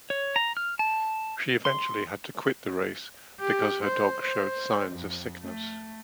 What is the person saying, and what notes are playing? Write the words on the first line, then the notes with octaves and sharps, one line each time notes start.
She eventually had to quit the race because her dogs showed signs of sickness.
C#5
A#5
F6
A5
C6
G4
C5
C5
F2
A3